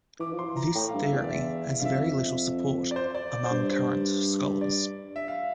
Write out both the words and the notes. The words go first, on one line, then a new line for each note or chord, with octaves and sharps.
This theory has very little support among current scholars.
E3 D6
F3
C6
E3
A#5
A2 G5
F5
G2
E5
E2 D5
E5
G2 F5
F2 E5
D5
C5
D5
D5
C5
G2
C5
D5
E5
F5